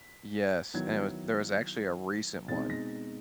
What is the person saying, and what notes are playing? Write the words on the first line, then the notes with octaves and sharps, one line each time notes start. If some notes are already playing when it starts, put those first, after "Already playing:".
Yes, anyways, there was actually a recent one,
Already playing: B6
D#3 F#3 B3 E4 G#6
B2 G#3 C4 D#4 A6
A#6